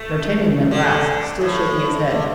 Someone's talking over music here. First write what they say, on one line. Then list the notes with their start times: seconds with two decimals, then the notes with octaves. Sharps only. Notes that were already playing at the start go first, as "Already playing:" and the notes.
D'Artagnan went last, still shaking his head.
Already playing: A3
0.71 D3
1.41 A2
2.10 D3